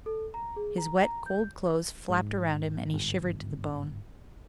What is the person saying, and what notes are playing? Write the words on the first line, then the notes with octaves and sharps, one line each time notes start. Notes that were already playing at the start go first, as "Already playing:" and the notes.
His wet, cold clothes flapped around him and he shivered to the bone.
A4
A#5
G#4
A#5
A#5
G6
G#2
G1